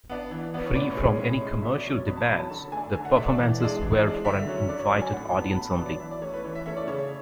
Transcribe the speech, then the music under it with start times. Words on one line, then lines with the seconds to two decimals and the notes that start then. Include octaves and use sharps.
Free from any commercial demands, their performances were for an invited audience only.
0.09 B3 D4
0.31 E3
0.54 B3 D4 B4
0.66 C#5
0.75 A2 D5
0.90 C#5
0.97 G#3 C#4
1.04 C#5
1.19 A2
1.41 G#3 C#4
1.62 B2 E5
1.74 D5
1.84 F#3 C#4 C#5
1.96 C#5
2.06 B2 B5
2.17 A5
2.28 F#3 C#4 B5
2.39 A5
2.50 D3 A5
2.72 A3 D4 G#5
2.94 D3 G#5
3.05 F#5
3.15 A3 D4 E5
3.26 D5
3.38 E3
3.60 G#3 D4
3.81 E3
4.03 G#3 D4
4.25 D3 E5
4.47 F#3 C#4
4.69 D3 D5
4.79 C#5
4.90 F#3 C#4 D5
5.02 G#5
5.13 A2 F#5
5.34 F#3 B3 D4 A5
5.51 A5
5.56 A2 B5
5.71 A5
5.78 F#3 B3 D4
5.85 D5
6.00 E3 E5
6.11 D5
6.22 A3 C#4 C#5
6.33 B4
6.44 E3 C#5
6.55 E5
6.66 A3 C#4 E5
6.77 D5
6.88 C#3 C#5